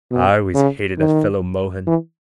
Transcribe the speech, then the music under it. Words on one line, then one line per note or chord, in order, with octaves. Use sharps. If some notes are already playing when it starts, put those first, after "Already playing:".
I always hated that fellow Mohun.
B2
C#3
D#3
E3